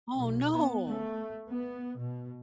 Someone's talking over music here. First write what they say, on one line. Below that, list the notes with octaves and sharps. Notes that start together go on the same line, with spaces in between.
Oh, no!
B1
B3
A3
B3
B2